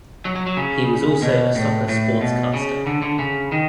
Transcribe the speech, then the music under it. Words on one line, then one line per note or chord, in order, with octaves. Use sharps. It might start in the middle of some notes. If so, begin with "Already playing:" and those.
He was also a soccer sportscaster.
F#3
F#3
F#3
C#3
B2
A2
A2
B2
C#3
D3
D3
C#3
D#3